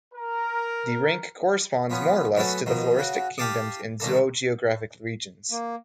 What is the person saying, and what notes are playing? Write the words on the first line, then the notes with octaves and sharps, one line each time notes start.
The rank corresponds more or less to the floristic kingdoms and zoogeographic regions.
A#4
F3 B3 C#4
F#3 A3 B3 C#4 A4
B2 D#3 F3
C#3 F#4
G4 F5 A5 D6 D#6
C2 D#3 A#3 A4
A#3